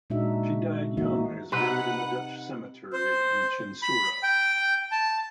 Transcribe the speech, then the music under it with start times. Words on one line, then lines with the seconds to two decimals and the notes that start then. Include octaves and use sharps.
She died young and is buried in the Dutch Cemetery in Chinsurah.
0.10 A#2 G#3 D4 D#4 F#4 E5
0.97 D#3 E3 A#3 D#4 F#4 E5
1.52 C3 D#4 B4 F#5
2.93 C5
3.82 B5
4.23 G5
4.92 A5